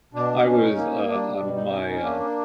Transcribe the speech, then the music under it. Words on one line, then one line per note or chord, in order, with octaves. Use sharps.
I was, uh, uh, my uh,
B2 D4
C#4
D#4
A#3
G3 D4
B2
D#4
C#4
A#3 D4